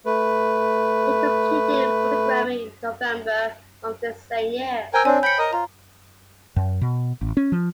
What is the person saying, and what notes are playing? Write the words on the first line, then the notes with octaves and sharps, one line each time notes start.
He completed photography in November of the same year.
A3 B4
A#4 C5 G5 G#5 E6
C4 D4 C#5 G#5
G5 B5 G6 C#7
A#4 D#5 D#6
F4 A#5
F#2
B2
A1
C#4
F3